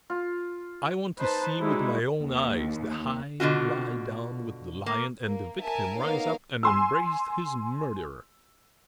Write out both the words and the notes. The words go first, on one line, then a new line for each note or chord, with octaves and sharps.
I want to see with my own eyes the hind lie down with the lion and the victim rise up and embrace his murderer.
F4
D#4 B4 C5 A5
G3 G#3 D#4 E4 F#4
D#2
B2 D3 F4 F#4
A#3
A#3
A#4 E5 G#5 A5
A#3 B3 D#4 A#4 C#5 F5
G#5 C6 E6